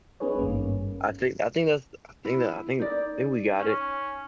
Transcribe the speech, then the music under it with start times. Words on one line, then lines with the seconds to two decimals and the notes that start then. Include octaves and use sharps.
I think I think that's I think that I think think we got it.
0.20 B3 C#4 D#4 G#4 B4 C#5
0.38 G#1 G2 A#3 C#4
2.25 E4
2.79 D#4 D5
3.58 C#4